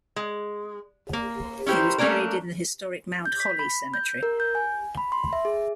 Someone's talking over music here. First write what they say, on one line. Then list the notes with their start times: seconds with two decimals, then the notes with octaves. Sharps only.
He was buried in the historic Mount Holly Cemetery.
0.16 G#3
1.13 A#3
1.66 C#4 E4 G4 A#4 C5
1.98 A3 A#3 C#4 D4 A#4
3.26 G6
3.40 B6
3.59 B5
3.94 G6
4.23 A#4
4.40 G6
4.55 G#5
4.97 B5
5.12 C6
5.33 E5
5.45 G#4